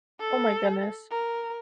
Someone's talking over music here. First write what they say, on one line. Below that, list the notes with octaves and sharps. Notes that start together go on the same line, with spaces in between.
Oh, my goodness.
A4
A#4